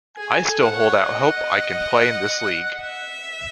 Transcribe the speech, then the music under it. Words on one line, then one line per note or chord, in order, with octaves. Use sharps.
I still hold out hope I can play in this league.
G#4 G#5
A4
F#5
C#5
D#5
E5